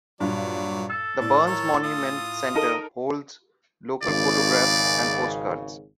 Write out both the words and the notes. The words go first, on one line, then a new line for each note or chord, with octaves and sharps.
The Burns Monument Centre holds local photographs and postcards.
G2 A#2 F#3 D5
A4 E6
A2 D5
A#4 C#5
F4 D#6
D#4 A4 A#4 D#5
G#1 C#3 D5